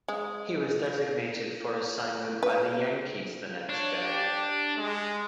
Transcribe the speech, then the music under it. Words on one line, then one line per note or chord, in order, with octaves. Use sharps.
He was designated for assignment by the Yankees the next day.
G#3
B4
D4 C#5
G4
G#3